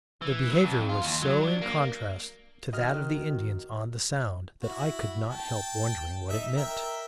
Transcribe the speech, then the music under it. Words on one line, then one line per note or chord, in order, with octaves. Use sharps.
Their behavior was so in contrast to that of the Indians on the Sound that I could not help wondering what it meant.
E3
F#3
F2
F4
D#2
F#3
D4
A#3
D#3 F#4 D#5 F6
E4 F#4
G5 A5
D#4 E5
A#4 E5 G5